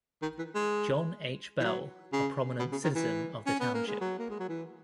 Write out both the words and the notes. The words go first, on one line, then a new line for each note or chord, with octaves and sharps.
John H. Bell, a prominent citizen of the township.
D#3
E3
G#3
E3
F#3
C#3
B2
C#3
D#3
E3
C#4
B3
A#3
G#3
F#3
A#3
G#3
F#3
E3